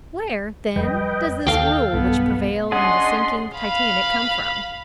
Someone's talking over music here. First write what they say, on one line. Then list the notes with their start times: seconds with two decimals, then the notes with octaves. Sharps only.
Where, then, does this rule which prevailed in the sinking Titanic come from?
0.76 F2 G3 B4 D#5 G5
1.47 D#2 A4 F5 G5
1.93 B1 G2 B3
2.72 C#4 D4 G#4 D#5 F#5 C6
3.56 F5 B5